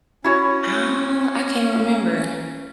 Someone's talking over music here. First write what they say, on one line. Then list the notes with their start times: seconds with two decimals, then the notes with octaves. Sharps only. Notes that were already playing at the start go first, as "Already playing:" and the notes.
Oh, I can't remember.
0.24 C#4 E4 F#4 C#5